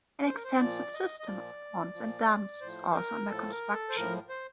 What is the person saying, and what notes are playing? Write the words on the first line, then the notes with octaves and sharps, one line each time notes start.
An extensive system of ponds and dams is also under construction.
C5
A#4
C5
A#2 F3 D5
D#5
D#5
A#2 F3 D5
A#2 F3
A2 F3 C5
A#4
A2 F3 A4
A#4
A4
C5
A2 F3 A#4
C5